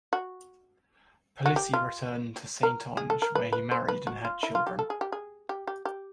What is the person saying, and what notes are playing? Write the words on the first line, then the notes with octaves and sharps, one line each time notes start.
Palissy returned to Saintonge where he married and had children.
F#4
F#4
G4
F4
A#4
G#4
A4
A#4
B4
B4
C5
B4
F#4
F4
E4
F4
G4
A4
G#4
G4
G#4
G4
G4
G4